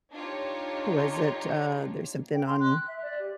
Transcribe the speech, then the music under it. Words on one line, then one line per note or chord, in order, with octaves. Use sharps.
what was it, uh, there's something on
D4 D#4 F4 G4 C#5
G5
C6
F#6
E5
D5
G4